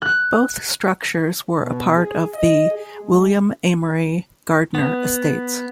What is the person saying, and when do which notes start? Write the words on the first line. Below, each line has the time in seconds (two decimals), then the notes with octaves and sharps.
Both structures were a part of the William Amory Gardner estates.
0.02 F#6
1.60 B2
1.95 G#4
2.34 D#5
2.71 G#4
3.01 G#3
4.75 B3